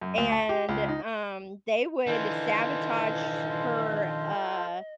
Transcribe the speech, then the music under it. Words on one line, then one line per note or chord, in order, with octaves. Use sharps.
And, um, they would sabotage her, uh,
F#2
D2
A5
G4
C#2
D#4
D#3 E3 D4 F4 A4 C5 D#5